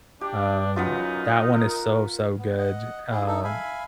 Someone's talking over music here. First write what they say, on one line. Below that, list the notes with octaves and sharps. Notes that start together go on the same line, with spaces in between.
Um, that one is so, so good, uh,
D4 G4
F#2 D#4 F4 B4 F#5
A#4
B3
D#5 F#5
E4 G#4
D#4 A4
E5 F5 G#5 B5